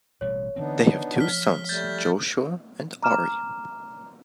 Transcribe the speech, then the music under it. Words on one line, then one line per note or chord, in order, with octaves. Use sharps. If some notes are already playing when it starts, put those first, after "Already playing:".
They have two sons, Joshua and Ari.
A1 B2 G3 C#5
D3 E3 B3 C4 D4 D#4
F3 F6 B6 G7
G3 A3 G6 A6
A#5 D6 F6 E7